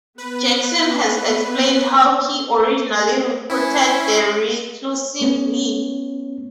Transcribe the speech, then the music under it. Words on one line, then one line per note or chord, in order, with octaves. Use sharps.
Jackson has explained how he originally recruited the reclusive Lee.
B3 B4
C#4 E4
A3 B3 C#4 C#5